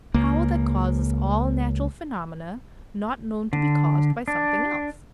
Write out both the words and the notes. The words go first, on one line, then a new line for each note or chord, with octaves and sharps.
The power that causes all natural phenomena not known to be caused by something else.
C#2 A#3
D3
D4